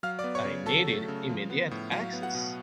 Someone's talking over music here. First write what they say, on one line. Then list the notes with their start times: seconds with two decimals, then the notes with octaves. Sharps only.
I needed immediate access.
0.03 F#3 F5 F6
0.19 D5 D6
0.24 B3
0.35 C#5 C#6
0.45 C#3
0.66 F#3 A4 A5
0.88 A3
1.08 C#3
1.29 F3
1.50 B3
1.71 A2
1.92 F#3 F5
2.13 B3
2.23 F#5
2.35 B2